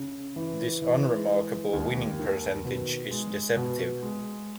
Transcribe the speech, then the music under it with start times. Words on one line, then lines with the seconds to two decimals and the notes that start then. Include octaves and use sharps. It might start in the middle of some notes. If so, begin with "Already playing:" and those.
This unremarkable winning percentage is deceptive.
Already playing: C#3
0.36 E3
0.82 E3
1.28 G#3
1.73 D#2
2.19 D#3
2.65 B2
3.11 G#3
3.57 B2
4.03 G#3